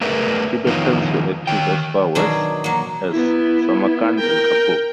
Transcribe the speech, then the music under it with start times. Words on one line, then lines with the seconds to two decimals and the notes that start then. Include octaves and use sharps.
Tibetans were active as far west as Samarkand and Kabul.
0.01 A3 G#4 A#4 B4 D5 E5
0.66 D#3 F3 B3 D#4 F4 C#5
1.47 D#3 C#5 G5
2.15 B2 D#3 F#3 D4 G#4
2.64 F#3 A#3
3.11 B3 E4
4.19 A#4 G5